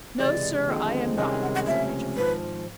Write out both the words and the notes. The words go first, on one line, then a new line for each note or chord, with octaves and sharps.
"No, sir, I am not," said Major Flint.
C#2 C3 E3 G#3 D5
D#2 D3 F3 G#3 C4
C2 C3 D#3 G#3 C#4 D#5
G5
F#5
F#5
C#2 C3 F3 A3 C#4 E5
G#1 G#2 F3 B4